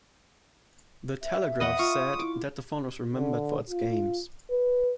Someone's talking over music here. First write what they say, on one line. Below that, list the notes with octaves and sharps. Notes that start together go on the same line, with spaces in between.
"The Telegraph" said that the phone was remembered for its games.
E5
E2 B4 D#5 F#5 D#6
F4 C#6
E4 D6
D3
F4
B4